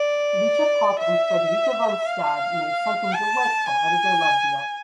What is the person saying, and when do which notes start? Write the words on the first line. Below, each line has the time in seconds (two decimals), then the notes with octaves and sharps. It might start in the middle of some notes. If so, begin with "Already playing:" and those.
Lucia Popp and Frederica von Stade made something "delightful" out of their love duet.
Already playing: D5
0.99 E5
2.06 F5
3.13 A5
3.66 G#5